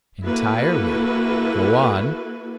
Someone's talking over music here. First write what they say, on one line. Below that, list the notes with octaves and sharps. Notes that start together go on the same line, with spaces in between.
"Entirely; go on."
A#3 E4 F#4 A4 B4